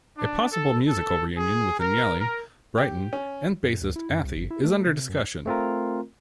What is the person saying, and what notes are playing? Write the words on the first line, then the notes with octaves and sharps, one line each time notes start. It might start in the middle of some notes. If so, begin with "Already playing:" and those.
A possible musical reunion with Agnelli, Brighton, and bassist Athey is under discussion.
D4
A4
A4
G#4
A#4
A#4
G4
C#4
F#2
D2
E4
F#2
C2
G1
E4
A3
C3
F#2
A3 C4 F4 A#4